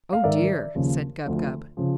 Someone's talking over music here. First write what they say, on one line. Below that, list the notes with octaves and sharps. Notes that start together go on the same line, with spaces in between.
"Oh, dear!" said Gub-Gub.
F5
G#2 D#3 D5 E5
D#2 C#3 F3
D2 D3 F3
C#3 F3